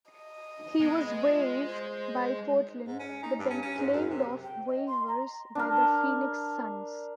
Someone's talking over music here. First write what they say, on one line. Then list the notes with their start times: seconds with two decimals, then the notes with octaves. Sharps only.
He was waived by Portland, but then claimed off waivers by the Phoenix Suns.
0.12 D#5
0.80 G#3 B3
1.25 F4
1.65 C5
2.87 G#2
2.99 C#4
3.22 D#4
3.38 G2
3.50 C#4
3.62 C#4
3.78 G#2
3.93 F#2
4.09 C3
4.44 G5
4.67 D#5
4.87 C6
5.08 A#5
5.55 D4 A#4